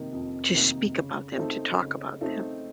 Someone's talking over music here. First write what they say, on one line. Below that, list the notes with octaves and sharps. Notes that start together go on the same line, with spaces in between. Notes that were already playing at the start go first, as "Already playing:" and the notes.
to speak about them, to talk about them,
Already playing: C3 D#3 A#3 D#4
F2
C3 D#3 A#3 D#4
C#3
A3 C4 D#4 A4
C#3
A3 C4 D#4 A4